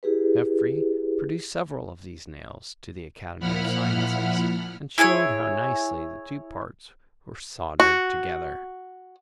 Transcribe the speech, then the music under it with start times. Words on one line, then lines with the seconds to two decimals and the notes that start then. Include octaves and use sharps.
M. Geoffroy produced several of these nails to the Academy of Sciences, and shewed how nicely the two parts were soldered together.
0.03 E4 G4 G#4 B4
3.39 A#2 F3 E4 F#5 B5 F6
4.98 E4 G#4 A4 C#5
7.80 F#4